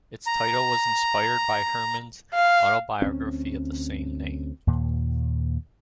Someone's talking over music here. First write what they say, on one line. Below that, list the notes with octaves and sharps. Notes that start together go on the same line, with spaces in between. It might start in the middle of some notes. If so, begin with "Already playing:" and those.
Its title was inspired by Herman's autobiography of the same name.
A#5
F5
D2 C4 C#4
D#2 A#2